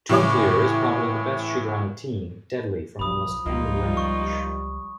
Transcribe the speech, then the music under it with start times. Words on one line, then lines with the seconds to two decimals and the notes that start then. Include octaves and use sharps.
Tuncluer is probably the best shooter on the team, deadly from almost any range.
0.09 A2 C#3 E3 C#5 D6
2.99 B1 F#2 F3 B5 D#6
3.46 C#2 F3 G3 A#3 D#4 F4
3.97 C#6